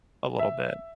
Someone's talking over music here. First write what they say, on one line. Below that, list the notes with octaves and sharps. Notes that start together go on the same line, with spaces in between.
a little bit,
E5